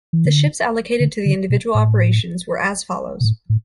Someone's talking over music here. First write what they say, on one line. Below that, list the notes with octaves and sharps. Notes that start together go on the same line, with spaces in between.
The ships allocated to the individual operations were as follows.
E3
D3
D3
D3
B2
A2
B2
A2
A2